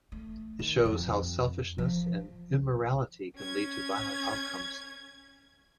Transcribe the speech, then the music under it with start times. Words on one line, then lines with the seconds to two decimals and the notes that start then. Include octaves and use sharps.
It shows how selfishness and immorality can lead to violent outcomes.
0.12 A3
0.59 D#3
0.85 F2
1.78 F3
3.37 C#4 G#6